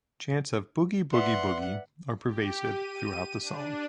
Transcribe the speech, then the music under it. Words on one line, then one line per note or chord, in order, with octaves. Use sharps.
Chants of "Boogie boogie boogie" are pervasive throughout the song.
B4 D5 E5 F#5 C6
G4
D#7
D4